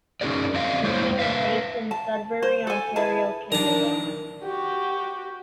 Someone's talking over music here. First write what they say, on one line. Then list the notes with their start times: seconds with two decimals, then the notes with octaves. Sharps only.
The team is based in Sudbury, Ontario, Canada.
0.21 C#4 D#4 F#4 G#4 A#4 D5
0.54 C4 D5 D#5 F5
0.83 G#3 A#3 E4 C5 C#5 F5
1.19 B4 C5 E5 F5
1.91 A5
2.42 C5
2.67 A4 G#5
2.96 E4 G#4 B4 A5
3.52 D#3 E3 D4 A#4 A5 A#5
4.44 F#4 G4